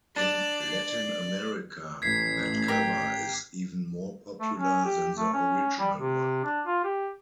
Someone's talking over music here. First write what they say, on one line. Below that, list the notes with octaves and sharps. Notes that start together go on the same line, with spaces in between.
In Latin America, that cover is even more popular than the original one.
D4 D5
A1 G#6 B6 C7
G4 A#4
A3
C#4
G4
A3
C#4
G3
C3
D4
F4
G4